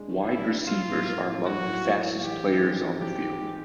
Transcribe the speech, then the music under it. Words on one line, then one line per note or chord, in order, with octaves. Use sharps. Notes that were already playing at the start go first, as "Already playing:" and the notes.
Wide receivers are among the fastest players on the field.
Already playing: G#3 D4
D#3
B3 E4
D4
F#3 F4
A2
A#3
A2
F#3 F#4
A2
A#3
A2
E3 G4
G#2
G#3
C4
E3 G4
G#2
G#3